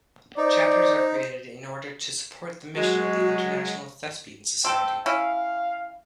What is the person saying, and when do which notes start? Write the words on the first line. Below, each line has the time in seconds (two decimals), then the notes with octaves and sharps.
Chapters are created in order to support the mission of the International Thespian Society.
0.38 D#4 C5 D5
2.75 F#3 G#3 F#4
4.65 C4 A4 G5
5.06 C#4 E4 F5